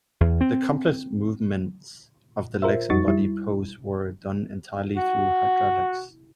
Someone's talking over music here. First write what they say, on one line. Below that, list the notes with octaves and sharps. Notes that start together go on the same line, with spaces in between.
The complex movements of the legs and body pose were done entirely through hydraulics.
E2
C4
F4 A#4 C5 E5
F2 G3 D#4 F#4 C#6 A6
G3 E4
F#4